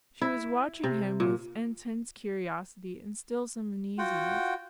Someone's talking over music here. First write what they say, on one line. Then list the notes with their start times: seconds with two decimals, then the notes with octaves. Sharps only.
She was watching him with intense curiosity and still some uneasiness.
0.21 E4
0.84 C3
1.20 A#2
3.98 F4 F#4 F#5 G5